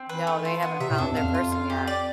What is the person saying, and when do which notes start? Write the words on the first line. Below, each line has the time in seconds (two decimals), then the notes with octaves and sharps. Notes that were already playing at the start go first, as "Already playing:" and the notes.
No, they haven't found their person yet.
Already playing: C4
0.09 E3 B4
0.27 A3
0.45 F4
0.62 B3
0.80 C3 E5
0.90 A2
0.98 F2 D4
1.09 E2
1.17 F2 F5
1.34 F4
1.52 F5
1.70 G4
1.88 D5